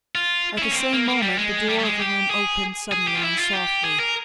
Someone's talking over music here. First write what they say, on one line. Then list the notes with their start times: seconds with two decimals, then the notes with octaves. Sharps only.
At the same moment the door of the room opened suddenly and softly.
0.15 F4
0.58 E4
0.62 C#4
0.71 A#3
0.76 C4
0.93 A#3
1.08 A#3
1.22 G3
1.38 G#3
1.69 G3
1.79 G3
1.84 G#3
2.00 G4
2.30 G#4
2.92 G#4
3.07 G4
3.15 F4
3.23 E4
3.38 F4
3.53 G4
3.84 G#4
4.00 A#4